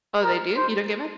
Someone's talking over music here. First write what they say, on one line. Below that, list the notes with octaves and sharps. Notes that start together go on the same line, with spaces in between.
Oh, they do? You don't get mad?
A#4
C5